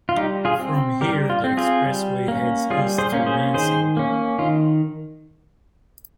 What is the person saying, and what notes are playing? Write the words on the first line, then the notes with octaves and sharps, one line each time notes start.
From here, the expressway heads east through Lansing.
F4
G3 D#4 G4
F4 G#4
C4
G3 G4 A#4
F4
C4
F4 G#4
G3
A#3 C#4
G3 F4 G#4
G#4 C5
A#3 C#4
G#4 C5
D#3 G#4 C5
A#3 C#4
D#3 F4